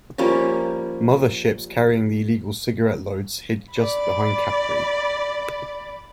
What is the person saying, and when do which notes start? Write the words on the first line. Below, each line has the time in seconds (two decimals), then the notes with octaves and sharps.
Mother ships carrying the illegal cigarette loads hid just behind Capri.
0.18 F3 G3 A#3 C#4
3.74 D5 B5